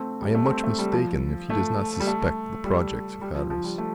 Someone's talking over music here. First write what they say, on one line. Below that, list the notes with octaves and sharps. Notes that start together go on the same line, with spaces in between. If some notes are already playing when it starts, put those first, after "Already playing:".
"I am much mistaken if he does not suspect the projects of Hatteras."
Already playing: A3 C4
G3
A3
C4
A3
G3
F3
A3
G3
A3
G3
G3
F3
F3
G3
A3